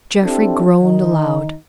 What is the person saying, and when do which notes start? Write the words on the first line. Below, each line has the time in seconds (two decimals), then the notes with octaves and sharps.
Jeffrey groaned aloud.
0.23 C4 D4 E4 G4 A4
0.82 D#3 D#4